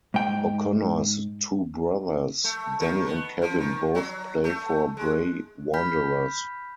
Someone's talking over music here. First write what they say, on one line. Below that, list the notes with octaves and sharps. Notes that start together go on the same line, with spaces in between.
O'Connor's two brothers, Danny and Kevin both play for Bray Wanderers.
G#2 G5
A3
D#3
B3
F3
D#3
F#3
A3
G#3
B5 F6 G6 B6